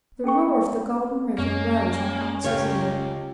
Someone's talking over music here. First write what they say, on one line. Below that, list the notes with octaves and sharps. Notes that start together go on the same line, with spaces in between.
The roar of the Golden River rose on Hans's ear.
C#4 A4 G5 C#6
F#2 A#3 C#4
C#2 F4 G4 C#5